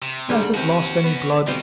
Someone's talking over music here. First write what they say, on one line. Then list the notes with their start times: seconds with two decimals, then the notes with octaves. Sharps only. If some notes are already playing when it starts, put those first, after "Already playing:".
He hasn't lost any blood.
0.02 C3
0.29 G#2 D3 G3
0.54 D#2 C4 C#4 F#4
1.04 B3
1.47 B2 D#3 G3 C4 F4